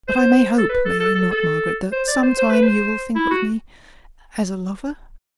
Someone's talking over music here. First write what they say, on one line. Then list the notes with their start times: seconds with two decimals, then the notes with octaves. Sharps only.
'But I may hope, may I not, Margaret, that some time you will think of me as a lover?
0.08 C5
0.58 A4
0.69 B4
0.85 A4
1.00 A4
1.15 A4
1.31 A4
1.92 C5
2.08 D5
2.23 C5
2.38 C5
2.51 B4
2.63 C5
3.16 E4
3.31 F#4